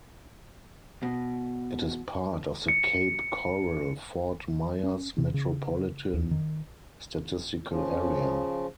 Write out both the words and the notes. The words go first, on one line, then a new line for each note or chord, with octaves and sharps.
It is part of the Cape Coral-Fort Myers Metropolitan Statistical Area.
B2
C#7
C#4
C3
C#3
D#2
D#3
C#3 F3